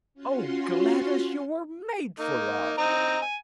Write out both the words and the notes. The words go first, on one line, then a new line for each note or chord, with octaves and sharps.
Oh, Gladys, you were made for love!
C#4 F4 F#4 C6
A#3 D#4
C4 D#5 A#5
G#5